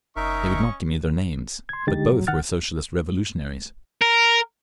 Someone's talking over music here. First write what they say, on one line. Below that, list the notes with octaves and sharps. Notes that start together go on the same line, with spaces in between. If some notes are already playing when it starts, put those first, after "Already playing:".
They would not give me their names, but both were Socialist Revolutionaries....
F#1 C#4 D#4 A#4 D#5 E5 C#6
C6 G#6
D3 G#3 D#4 G4 A6
A2 F#3
D#3 F#5 F6 A6
A#4